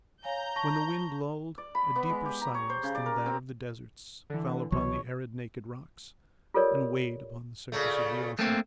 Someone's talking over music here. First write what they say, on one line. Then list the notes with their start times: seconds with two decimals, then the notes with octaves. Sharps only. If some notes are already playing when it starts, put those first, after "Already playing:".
When the wind lulled, a deeper silence than that of the deserts fell upon the arid, naked rocks, and weighed upon the surface of the ocean.
0.24 C#5 F5 G#5 A#5 G6
0.56 A5 C#6 A#6
1.58 D5
1.75 B5
1.96 B3
2.09 G#3
2.26 G4
2.41 A#5
2.54 C#5
2.70 C5
2.83 C#3
2.95 D5
3.06 A#4
3.26 C4
4.30 D3 E3
4.72 C2 B2 E3 F#3 C#5
6.54 F4 G4 A4 A#4 C#5 D5
7.72 A#2 C#3 A3
8.39 A3 A#3 C4